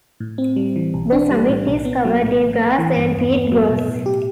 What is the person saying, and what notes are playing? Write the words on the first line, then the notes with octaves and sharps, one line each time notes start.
The summit is covered in grass and peat groughs.
A2
C4
G3
E3
B1
D4
G3
A2
B1
B3
F#3
A2
A1
A1
E3
G2
E2
B3
F#3
B2
A2
G4